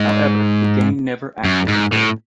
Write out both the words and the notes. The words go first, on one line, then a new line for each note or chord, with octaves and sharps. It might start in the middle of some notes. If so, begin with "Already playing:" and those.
However, the game never actually occurred.
Already playing: G#2
F#2
G#2
A2